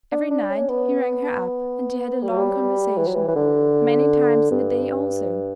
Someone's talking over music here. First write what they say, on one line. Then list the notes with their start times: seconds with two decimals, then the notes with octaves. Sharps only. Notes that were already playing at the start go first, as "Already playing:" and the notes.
Every night he rang her up and they had a long conversation; many times in the day also.
0.12 D4
0.31 D4
0.43 D4
0.50 C#4
0.69 B3
2.22 G3
2.29 F#3
2.38 G3
2.98 E3
3.07 F#3
3.16 E3
3.28 E3
3.36 D3
4.51 G2